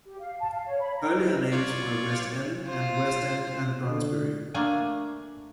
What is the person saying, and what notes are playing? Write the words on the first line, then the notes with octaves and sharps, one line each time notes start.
Earlier names were "West End" and "West End and Brondesbury".
G4
F5
A5
F5
C#5
B5
A#5
D#5
F4 C#5 D5
F4 C5
D3
A3 A#3 D4 G#5